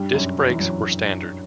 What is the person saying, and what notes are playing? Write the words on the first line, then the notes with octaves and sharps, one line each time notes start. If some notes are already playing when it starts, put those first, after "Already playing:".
Disc brakes were standard.
Already playing: G2 G3
F#2 F#3
F#3
E3
F#2 F#3